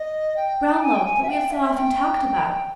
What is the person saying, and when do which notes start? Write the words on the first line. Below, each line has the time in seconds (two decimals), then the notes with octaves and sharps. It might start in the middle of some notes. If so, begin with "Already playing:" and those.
Brownlow, that we have so often talked about.'
Already playing: D#5
0.36 G5
0.83 G#5
0.95 G5
1.05 G#5
1.23 E5
1.28 G5
1.52 E5
1.75 G5